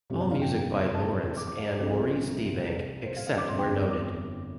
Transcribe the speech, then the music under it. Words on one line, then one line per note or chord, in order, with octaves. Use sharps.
All music by Lawrence and Maurice Deebank, except where noted.
G1 F2 C3 G4
D5
F5
G5
A5
D6
D6
F5
C5
C2 C3 F3 A4
A4
C5
F5
F5
D6
G1 F2 D3 C6
G5
D5
D6